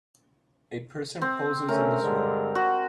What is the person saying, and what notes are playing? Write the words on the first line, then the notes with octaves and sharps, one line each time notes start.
A person poses in the snow.
C4
D3 A3 C#4 A#4
G2 D3 G#3
F#4